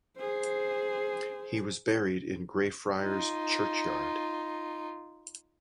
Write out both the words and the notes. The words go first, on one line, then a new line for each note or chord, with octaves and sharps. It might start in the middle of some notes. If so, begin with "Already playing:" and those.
He was buried in Greyfriars churchyard.
G#4 C5
D#4 F4